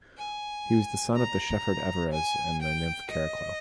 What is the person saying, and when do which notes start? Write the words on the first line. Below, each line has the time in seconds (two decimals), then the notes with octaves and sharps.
He was the son of the shepherd Everes and the nymph Chariclo.
0.18 G#5
1.16 A#5
2.12 G#5
2.62 G5
3.10 D#5